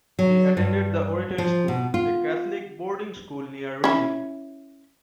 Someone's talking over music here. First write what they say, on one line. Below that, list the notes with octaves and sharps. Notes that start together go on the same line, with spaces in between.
He attended The Oratory School, a Catholic boarding school near Reading.
F#3
G2
F3
B2
F4
C#4 E4